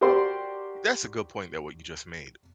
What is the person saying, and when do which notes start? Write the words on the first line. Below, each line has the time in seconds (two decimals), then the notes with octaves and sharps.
That's a good point that what you just made,
0.01 F#4 G4 A#4 C5 D5 C6